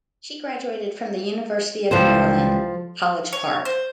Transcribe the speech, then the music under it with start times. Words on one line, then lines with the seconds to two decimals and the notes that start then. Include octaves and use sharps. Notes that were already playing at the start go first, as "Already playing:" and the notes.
She graduated from the University of Maryland College Park.
1.91 C#2 E3 F3 G3 A4 C5
3.33 C#5
3.65 C5